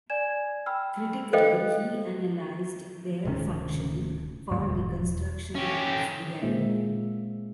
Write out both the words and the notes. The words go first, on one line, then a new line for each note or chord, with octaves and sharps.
Critically he analyzed their function for the construction of reality.
D5 G#5 G#6 E7
G5 B5 E6 F6
A4 C5 D#5 F5 G5
D1 C3 D#3 C#4
D2 G#2 G3
E1
C#4 G4
A#2 G#3 A#3 C4 E5